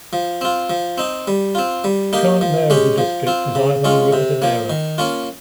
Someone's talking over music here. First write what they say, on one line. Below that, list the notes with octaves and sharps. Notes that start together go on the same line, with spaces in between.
The current mayor of the district is Ivan Rivadeneyra.
F3
C4 F4
F3
C4 D#4
G3
C4 F4
G3
A#3 D#4 G4
F3
G#3 C#4 G4
F3
C4 F4
C#3
G#3 C#4 F4
C3
F3 A#3
D#3
A#3 C#4 F4